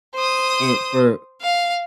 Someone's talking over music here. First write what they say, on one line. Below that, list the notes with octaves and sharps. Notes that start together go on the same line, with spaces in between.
and for
C5 D#6
F5